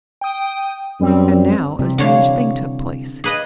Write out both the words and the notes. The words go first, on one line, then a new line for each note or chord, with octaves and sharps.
And now a strange thing took place.
G5 D#6
F#2 G3 C4
C3 E3 G3
D3 C#5 F5
G#4 B4 D#5